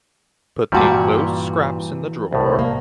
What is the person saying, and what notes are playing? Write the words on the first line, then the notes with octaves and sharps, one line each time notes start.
Put the enclosed scraps in the drawer.
G2 A#2 E3 G3 F#4
C2 A2
A#3